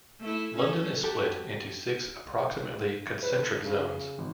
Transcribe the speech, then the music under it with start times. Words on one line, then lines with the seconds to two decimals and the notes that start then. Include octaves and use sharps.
London is split into six approximately concentric zones.
0.21 A3 E4
0.56 C#4 A4
1.04 F#4 G4 A4
3.23 B4
3.37 D3
3.65 C#3
4.18 G#1